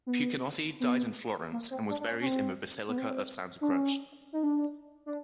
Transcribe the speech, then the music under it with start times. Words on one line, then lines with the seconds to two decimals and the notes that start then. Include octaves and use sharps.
Puccinotti died in Florence and was buried in the Basilica of Santa Croce.
0.06 B3
0.80 B3
1.52 A#3
1.71 C4
1.89 D4
2.00 D4
2.07 C#4
2.21 C#4
2.26 C4
2.88 B3
2.98 C4
3.61 D4
3.71 C#4
4.33 D#4
4.43 D4
5.06 D4